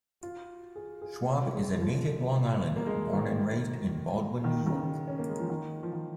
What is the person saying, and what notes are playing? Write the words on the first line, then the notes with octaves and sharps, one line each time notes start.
Schwab is a native Long Islander, born and raised in Baldwin, New York.
F4
G#4
G#4
C#4
G#3
F3
A#3
G#3
D#3
D#3
D#3
C#3
C#4
A#3
G#3
F3
D#3
F3
D#3